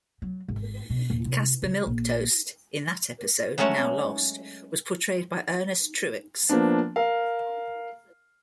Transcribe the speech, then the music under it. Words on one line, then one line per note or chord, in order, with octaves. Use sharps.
Caspar Milquetoast in that episode, now lost, was portrayed by Ernest Truex.
F#3
G#1
B2
D#1
C3
C#3
A#1
F#3 G#3 A3 C#4 F#4 C#5
F3 A#3 B3 D4
A#4 F5